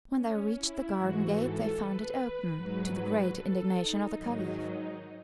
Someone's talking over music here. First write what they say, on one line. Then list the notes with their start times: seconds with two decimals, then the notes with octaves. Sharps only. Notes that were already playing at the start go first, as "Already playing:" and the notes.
When they reached the garden gate they found it open, to the great indignation of the Caliph.
0.14 C#4
0.55 E4
0.95 G#2 E3 F#4
1.35 A4
1.75 B4
2.55 G#2 F#3 B4
3.35 A4
3.76 D#4
4.15 G#2 D#3 F#3 D#4